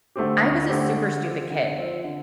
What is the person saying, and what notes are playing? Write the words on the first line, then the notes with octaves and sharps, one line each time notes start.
I was a super stupid kid,
D3 A3 C4 G4
D2
D3 A3 C4 G4
D3
F3 C4 F4
D3
F3 C4 F4
D3